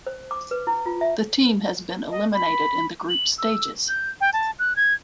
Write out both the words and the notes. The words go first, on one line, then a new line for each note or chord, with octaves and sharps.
The team has been eliminated in the group stages.
C5
D6
B4
E4
F4
E5
D#5
B5
F#7
E6
G6
G5
A5
F#6
G#6